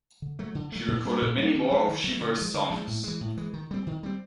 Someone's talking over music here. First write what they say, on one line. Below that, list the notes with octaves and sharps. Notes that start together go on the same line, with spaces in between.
She recorded many more of Shemer's songs.
D3
F#3 A3
D3
F#3 A3
A#2
G3 A#3 D4
A#2
G3 A#3 D4
D#3
F#3 A3
D#3
F#3
A3
D3
F3 G#3
D3
F3 G#3
A2
E3 G#3
A2
E3 G#3
D#3
G3 C4
D#3
G3 C4